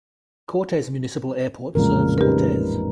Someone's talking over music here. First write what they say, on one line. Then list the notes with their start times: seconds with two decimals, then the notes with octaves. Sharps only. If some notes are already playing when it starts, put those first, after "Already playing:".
Cortez Municipal Airport serves Cortez.
1.75 A1 F2 A#2 C#3 G#3 A#4
2.18 C#4 D#4 G4 A#4 B4